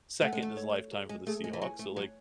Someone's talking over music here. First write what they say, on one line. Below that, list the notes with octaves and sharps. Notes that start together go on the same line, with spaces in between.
second in his lifetime for the Seahawks, so like
A3 F#5
G#3
A3
C#5
G#4
G#3
A3 G#4
G#3
E3
F#3 G#5
A3
F#3 C#5